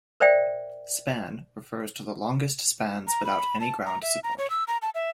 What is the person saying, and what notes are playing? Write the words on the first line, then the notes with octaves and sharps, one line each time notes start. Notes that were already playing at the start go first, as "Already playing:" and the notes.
"Span" refers to the longest spans without any ground support.
A#4 C5 D5 E5 G5
A#5
B5
A5
A#5
E5
A#5
C#5
E6
A#5
A5
E5